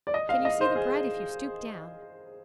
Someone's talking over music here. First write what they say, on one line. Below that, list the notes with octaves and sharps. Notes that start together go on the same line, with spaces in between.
"Can you see the bride if you stoop down?"
D5
D#5
F5
D#5
C5
G#4